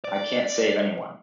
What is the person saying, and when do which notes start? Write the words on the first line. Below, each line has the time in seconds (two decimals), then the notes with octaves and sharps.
I can't save anyone.
0.04 D5